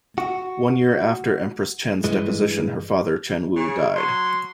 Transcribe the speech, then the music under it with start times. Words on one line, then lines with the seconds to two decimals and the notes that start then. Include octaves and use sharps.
One year after Empress Chen's deposition, her father Chen Wu died.
0.18 F#4
2.04 G2 E3 G#3
3.56 C#3
3.96 F#3 C6